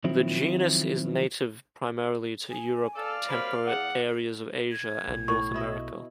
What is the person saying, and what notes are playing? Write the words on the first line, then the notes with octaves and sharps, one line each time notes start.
The genus is native primarily to Europe, temperate areas of Asia, and North America.
D#3 F3 F#3 C4 E4
G#5
A4 D5 F5
C3 F#3 A#3 C5 B5
E2 G#4 F#5
G#6
B1
A2 C#6
B2 E4 D#5